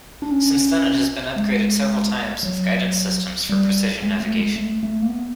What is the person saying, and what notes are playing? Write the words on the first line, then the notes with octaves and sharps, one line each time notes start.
Since then, it has been upgraded several times with guidance systems for precision navigation.
D4
C#4
G#3
F#3
G3
G#3
A3
G#3
A3
A3
A#3
B3